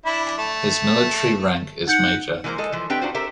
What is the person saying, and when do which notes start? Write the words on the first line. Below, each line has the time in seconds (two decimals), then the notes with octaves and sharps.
His military rank is Major.
0.05 D4 E4 B5
0.38 A3
1.87 D#4 F#5 G6 C#7
2.44 E3 G#3 A#3 B3 A#4 C5
2.58 G#3 A4 D#5
2.72 E3 F3 C5
2.90 C4 D4 G4 B4 E5 G5
3.02 D4 D#4 F4 F#4 C5
3.14 G4 A4 A#4 C5 E5